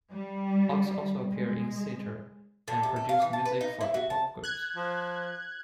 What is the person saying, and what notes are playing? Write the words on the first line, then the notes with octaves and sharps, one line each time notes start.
Ox also appeared in theatre, and produced music for hip hop groups.
G3
G#3
D3
C3
A3
F5
E3
A5
B4
D#4
E4
F#4
A5
F#6 G#6
F3